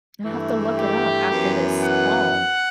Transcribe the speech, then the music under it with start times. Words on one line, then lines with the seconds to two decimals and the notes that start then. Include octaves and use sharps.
I have to look it up after this call.
0.23 G2 E3 A3
0.76 G4
1.30 F#2 E3 B3
1.83 F#5